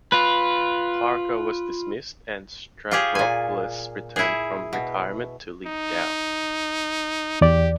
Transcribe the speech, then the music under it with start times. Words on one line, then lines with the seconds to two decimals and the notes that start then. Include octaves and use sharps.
Parker was dismissed and Stavropoulos returned from retirement to lead Dow.
0.12 F4 B4
2.91 F4 G4 G#4 C#5
3.15 A#2 G#5
4.16 E4 G#4
4.73 B2
5.66 D#4
7.41 E2 G4 D5